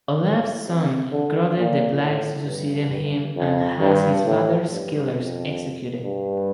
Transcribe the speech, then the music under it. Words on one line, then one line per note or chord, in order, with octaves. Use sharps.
Olave's son Godred the Black succeeded him and had his father's killers executed.
A2
C3
D3
A#2
A2
G2
G2
F2
G2
A2
G2
F2
G2